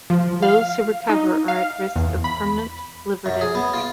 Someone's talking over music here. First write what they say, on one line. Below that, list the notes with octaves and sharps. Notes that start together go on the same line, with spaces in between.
Those who recover are at risk of permanent liver damage.
F3
F5
D#4
F5
E2
B5
F#2
G#4
B3
F4